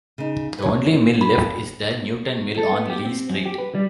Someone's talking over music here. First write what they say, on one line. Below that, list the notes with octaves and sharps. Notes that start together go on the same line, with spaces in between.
The only mill left is the Newtown Mill on Lees Street.
C#3 D#4
B4 C#5
B5
A4
B3
G4
C4
F#2
G4
B4
G3